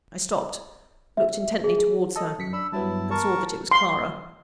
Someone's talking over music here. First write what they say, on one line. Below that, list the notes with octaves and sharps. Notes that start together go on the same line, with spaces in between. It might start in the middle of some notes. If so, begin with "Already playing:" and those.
I stopped--looked intently towards her--and saw that it was Clara.
E5
G#4
G#4
A4 D#5
F#2 B6 C#7
D4 B5 E6
G2 F#3 B3 E4 A5
A#4 A5 C#6
C6